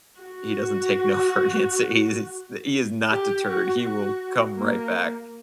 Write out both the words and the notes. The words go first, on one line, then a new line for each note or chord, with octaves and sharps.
he doesn't take no for an answer, he is he is not deterred, he will come right back,
F#4
G4
F#4
F#4
A#3